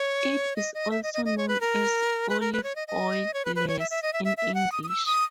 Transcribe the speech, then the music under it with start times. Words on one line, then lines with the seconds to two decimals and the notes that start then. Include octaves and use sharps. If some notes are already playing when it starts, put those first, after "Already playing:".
It is also known as "olive oil lees" in English.
Already playing: C#5
0.56 D#5
0.74 D#5
0.91 E5
1.03 D#5
1.14 D#5
1.25 D#5
1.38 C#5
1.48 B4
1.61 A#4
2.29 B4
2.40 A#4
2.53 B4
2.63 C#5
2.76 D#5
2.88 D#5
3.34 C#5
3.45 B4
3.56 B4
3.68 C#5
3.79 E5
3.91 E5
4.02 D#5
4.13 E5
4.25 E5
4.37 E5
4.54 F#5
4.72 D#6
4.83 D#6
4.89 E6
5.06 D#6